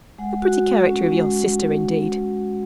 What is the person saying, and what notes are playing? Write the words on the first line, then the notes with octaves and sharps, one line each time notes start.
'A pretty character of your sister, indeed!
G#3 F#5
F#4
G#3
C#4 F#4
G#3